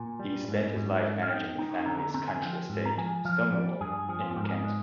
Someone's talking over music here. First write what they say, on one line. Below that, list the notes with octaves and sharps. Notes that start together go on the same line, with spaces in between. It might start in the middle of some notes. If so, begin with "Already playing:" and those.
He spent his life managing the family's country estate, Stonewall, in Kent.
Already playing: A#2 G#5
G3
G#2
G#2
G#3
F5
D#4 G5
D#4 G5
D3 A#5
A#5
C4 A#5
G#5
F3 G5
G#2
A#5
F3 G#5
F3 F5
G3 D5
G2 G#4
F3 G#4
F4
G#4
G#2 G4
A#4
G#4
G#3